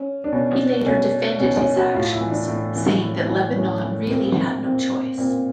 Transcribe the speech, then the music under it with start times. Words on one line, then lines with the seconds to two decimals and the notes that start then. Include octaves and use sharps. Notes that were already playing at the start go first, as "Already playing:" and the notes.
He later defended his actions, saying that Lebanon really had no choice.
Already playing: C#4
0.24 D4
0.32 B2 C#4
0.86 B2 C#4
1.40 B2 C#4
1.58 C#4
1.76 F#4
1.94 A2 F4
2.12 E4
2.21 E3
2.31 D4
2.48 A2
2.75 E3
3.02 A2
3.29 E3
3.56 A2 C#4
3.83 E3
4.10 A#2 C4
4.64 A#2 C4
5.18 A#2 C4